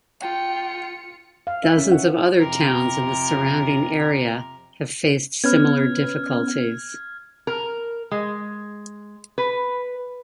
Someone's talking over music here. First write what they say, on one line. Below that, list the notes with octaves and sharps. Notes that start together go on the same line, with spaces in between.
Dozens of other towns in the surrounding area have faced similar difficulties.
F4 G5 C#7
F5
E5
C#4
F#5
F2 C3 A#4
B3 C#4 B4 F6 G#6
A#4
G#3
B4